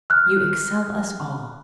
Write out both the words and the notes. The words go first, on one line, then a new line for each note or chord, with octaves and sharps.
"You excel us all."
F6 F#6